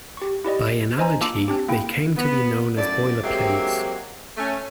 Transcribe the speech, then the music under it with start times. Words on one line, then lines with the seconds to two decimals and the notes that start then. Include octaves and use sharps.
By analogy, they came to be known as 'boilerplates'.
0.17 G4 C#6
0.45 E4 G4 D5 D#5
0.98 C5 D#5 G#5 A#5
1.21 A#3 F4 A5 D6 E6
1.48 C4 D4 G4
1.68 A#3 E4 G5
2.17 B3
2.76 F#2 A2 F#3 D5
3.24 F#3 G#3 A#3 C4 G4 E5
4.36 A3 C#4